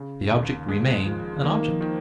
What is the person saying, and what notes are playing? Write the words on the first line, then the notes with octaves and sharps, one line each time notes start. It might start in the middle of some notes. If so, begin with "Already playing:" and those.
The object remained an object.
Already playing: C#3
D#2
G#3
F3
D#3 A#3
F3
D#3